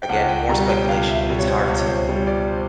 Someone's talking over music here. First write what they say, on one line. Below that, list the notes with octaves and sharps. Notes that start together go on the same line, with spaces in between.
again, more speculation, but it's hard to
G5
C#2 F#5
G5
B2 G3 A#5
G5
C#2 F5
E5
B2 G3
C#5
C5
C#2 C#5
C#5
C5
B2 G3 C#5
D5
C5